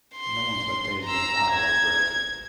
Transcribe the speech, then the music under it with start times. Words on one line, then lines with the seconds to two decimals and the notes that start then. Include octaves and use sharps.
No one but they gained power over it.
0.16 C6
1.05 A#5 E6
1.52 G#6